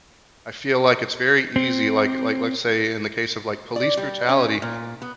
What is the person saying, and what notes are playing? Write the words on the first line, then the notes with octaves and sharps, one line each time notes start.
I feel like it's very easy, like like, let's say in the case of like police brutality
C4
D5
G3
C#4
A#2
B3